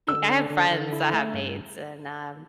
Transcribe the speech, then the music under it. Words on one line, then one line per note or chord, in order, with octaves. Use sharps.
I have friends that have maids, and, um
D3 E6
D4
D3
D3
E4
A3
G2